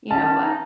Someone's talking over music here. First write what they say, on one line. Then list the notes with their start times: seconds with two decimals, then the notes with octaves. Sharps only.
you know, uh,
0.11 C#4 A5
0.26 C#4
0.42 D#4